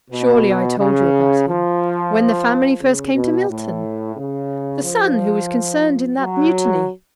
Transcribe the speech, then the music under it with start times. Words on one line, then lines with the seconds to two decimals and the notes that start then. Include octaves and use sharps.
'Surely I told you about him, when the family first came to Milton--the son who was concerned in that mutiny.'
0.11 B2
0.78 C#3
1.46 F3
2.82 C#3
3.15 B2
3.49 A2
4.17 C#3
4.84 F3
6.19 F#3